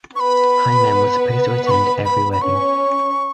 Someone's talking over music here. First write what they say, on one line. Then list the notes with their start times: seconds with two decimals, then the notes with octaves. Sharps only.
Hymen was supposed to attend every wedding.
0.16 B3 B4 B5 C#6
1.67 C#6
1.71 B5
2.05 B5
2.33 B5
2.42 C#4 C#6